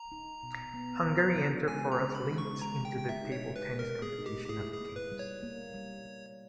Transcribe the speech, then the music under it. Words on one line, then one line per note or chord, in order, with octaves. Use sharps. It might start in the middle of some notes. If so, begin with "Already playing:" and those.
Hungary entered four athletes into the table tennis competition at the games.
Already playing: A#5
D#4
B2
B3
C#3
C#3
G#3 G#5
A#5
C#3
B5
G#3
C#6
G#3 A#5
G5
G4
G5
E5
D#4
C#5
G#3 B4
A#4
B2
G#4
D#4
G4
G4
E4 G#4
G#4
A#3
B4
G3
C#5
A#3
G3
G3